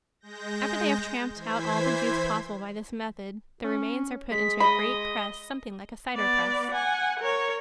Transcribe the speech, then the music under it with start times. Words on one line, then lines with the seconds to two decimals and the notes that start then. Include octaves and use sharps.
After they have tramped out all the juice possible by this method the remains are put into a great press something like a cider press.
0.20 G#3 G6 A#6
1.35 E3 C5 G#6 B6
3.64 C#4
4.32 G#3 B6
4.60 D#5 B5
6.15 B3 D5
6.71 F#5 G#5
7.20 A#4 C#5